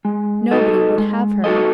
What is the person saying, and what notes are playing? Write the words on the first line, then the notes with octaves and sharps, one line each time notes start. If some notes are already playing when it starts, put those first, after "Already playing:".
Nobody would have her.
G#3
D#4 F#4 A4 D#5
G#3
D#4 F#4 A4 D#5